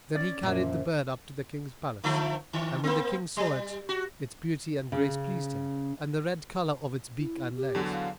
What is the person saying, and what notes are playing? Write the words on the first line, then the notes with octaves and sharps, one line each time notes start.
Then he carried the bird up to the King's palace and when the King saw it, its beauty and grace pleased him and the red colour of its beak and legs.
C#4 D5
F#2 A#2 F3
D3 F3 A3
D#3
A#3 C4
G3
F#4
C#3
E4
G4
E2 D3 F#3
F5